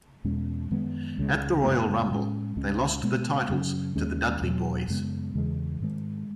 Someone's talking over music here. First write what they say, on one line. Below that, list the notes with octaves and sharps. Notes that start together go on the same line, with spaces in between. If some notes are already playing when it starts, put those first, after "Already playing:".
At the Royal Rumble, they lost the titles to the Dudley Boyz.
E2 B2 G#3 C#4
F#2 D#3 G#3 B3
C#2 C#3 G#3
F#2 C#3 G#3 B3
A2 G#3 C#4
C#2 C#3 G#3 C#4
B2 G#3 B3
F#2 C#3 F#3 C#4
D#2 D#3 G#3 C#4
E2 B2 F#3
F#2 C#3 G#3 B3
E2 C#3 E3 G#3
G#2 D#3 G#3